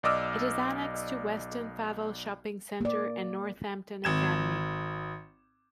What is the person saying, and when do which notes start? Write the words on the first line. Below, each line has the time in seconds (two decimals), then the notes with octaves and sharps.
It is annexed to Weston Favell Shopping Centre and Northampton Academy.
0.03 B1 D5 D#5 D6 E6 F6
2.81 A#3 D5
4.04 G#1 G#6 E7